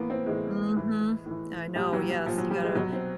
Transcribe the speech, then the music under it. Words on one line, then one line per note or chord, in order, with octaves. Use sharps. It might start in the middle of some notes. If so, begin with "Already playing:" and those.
Mhm, I know, yes, you gotta
Already playing: A2 E3 A#3 B3
C4
A2 E3 G#3
A2 E3
A2
E3
A#2 G3
F#3
F#3
A#2 F3
F#3
G3
G#3
B2 F#3
C4